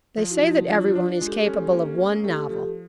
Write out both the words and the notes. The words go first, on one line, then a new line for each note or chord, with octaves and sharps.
They say that everyone is capable of one novel.
F3
E4 F#4
F3
D4 F4
F4
D4
F4
G#3
G4 A4
C#4
A#3
C#4
A3 G4 A4
F3 G4 A4